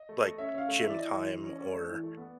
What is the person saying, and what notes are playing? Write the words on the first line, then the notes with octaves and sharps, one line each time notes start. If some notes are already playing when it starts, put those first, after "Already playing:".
like, gym time or
Already playing: D#5
A3
A3
C#4 E5
C#4 F5
A3
E3 E5
D5
E3 D#5
E3
E3
C#4
C#4 D5
A3
E3
A3
B3